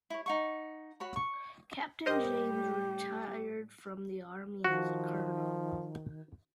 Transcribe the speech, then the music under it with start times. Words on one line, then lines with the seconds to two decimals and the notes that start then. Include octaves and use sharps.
Captain James retired from the army as a colonel.
0.10 E4 C#5
0.26 D#4 F#5 C#6
1.00 F#4 C#5 B5
1.16 C#6
2.06 A2 G3 G4 A#4 C5 D#5
4.64 D#3 F3 F#4